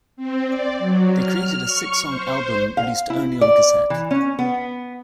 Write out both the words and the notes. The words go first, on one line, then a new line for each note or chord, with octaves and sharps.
They created a six-song album released only on cassette.
C4
D5
F#3
F6
C#6
C5
F5
E4
D5
E3
C#4
B3